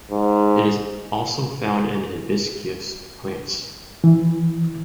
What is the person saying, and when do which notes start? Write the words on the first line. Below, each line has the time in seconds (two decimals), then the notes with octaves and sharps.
It is also found in "Hibiscus" plants.
0.11 G#2
4.04 E3